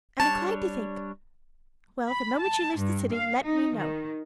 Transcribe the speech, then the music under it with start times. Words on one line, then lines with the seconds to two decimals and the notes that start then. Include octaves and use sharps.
I am inclined to think--well, the moment she leaves the city let me know.
0.20 G3 D4 C#5 A5
2.08 B5
2.40 A5
2.77 G2
3.13 F5
3.43 D#4
3.77 D#3